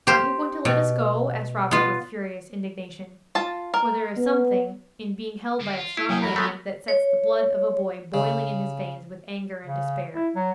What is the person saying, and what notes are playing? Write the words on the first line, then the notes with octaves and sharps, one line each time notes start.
'Aren't you going to let us go?' asked Robert, with furious indignation, for there is something in being held by a strong lady that sets the blood of a boy boiling in his veins with anger and despair.
G4 C5
B2
B3 F4
F4 A5
A#4
B3
D2 A#3
F4
E4
C3 F#3 G#4 G5 G#5
E2 A#4 B5
G#3 A3 B3
C#5
C#3
C#3
E4
F#3